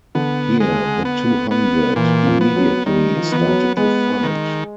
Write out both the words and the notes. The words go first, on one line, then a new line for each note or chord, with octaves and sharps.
Here the two hundred immediately started to fight.
D3 B3
G#3
B3
B3
A#2 E3
F3
B3
F#3
D#3 G3
F3
E3
F3 B3
F#3
G#3 B3
D#3